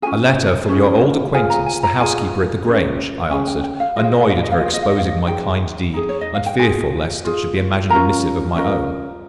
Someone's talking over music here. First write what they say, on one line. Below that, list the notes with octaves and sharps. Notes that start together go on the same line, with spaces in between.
'A letter from your old acquaintance, the housekeeper at the Grange,' I answered; annoyed at her exposing my kind deed, and fearful lest it should be imagined a missive of my own.
C#4 F4 G#4 G#5
C#4 F4 G#4
F4 G#4 G#5
A#5
G#5
A#5
F4 G#4 G#5
C#4 G#4
C#4 G#4 G#5
G5
G5
F5
F4 G#4 D#5 F5
D#5
F5
D#5
F5
D#5
F5
D#5
F4 G#4 F5
D#5
F5
D#5
F5
D#5
D#4 G#4 G5
D#4 G#4
C#5
D#5
F5
G5
F4 G#4 G#5
F4 G#4
C#4 F4 A#4 A#5
C#4 F4 A#4